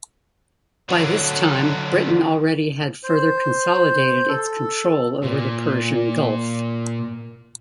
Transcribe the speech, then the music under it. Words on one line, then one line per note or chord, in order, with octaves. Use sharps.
By this time Britain already had further consolidated its control over the Persian Gulf.
D3 F#3
C5
A4
A#2 A#3